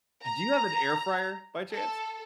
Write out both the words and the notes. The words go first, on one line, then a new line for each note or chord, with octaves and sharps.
do you have an air fryer, by chance?
A#5
A4